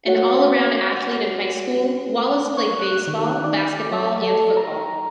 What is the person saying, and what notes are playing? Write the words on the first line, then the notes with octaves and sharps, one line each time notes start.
An all-around athlete in high school, Wallace played baseball, basketball and football.
F#4 C#5 F#5
C#5
F#6
D#3
D5
F#3
A4
A#5